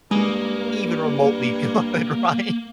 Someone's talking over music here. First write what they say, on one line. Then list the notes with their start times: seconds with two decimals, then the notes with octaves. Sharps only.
even remotely good, right?
0.11 G2 G#3 A#3